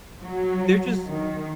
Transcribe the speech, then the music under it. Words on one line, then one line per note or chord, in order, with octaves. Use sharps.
They're just
F#3
D#3